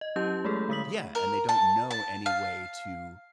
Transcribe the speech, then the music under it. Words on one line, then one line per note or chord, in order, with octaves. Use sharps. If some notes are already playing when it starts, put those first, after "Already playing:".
Yeah, and they don't know any way to
D#5
F#3 C#4 E4 G4 G6
G#3 A3 G#4 A4
D3 G#3 A3 D#6 B6 F#7
A#4
A5
A5
F5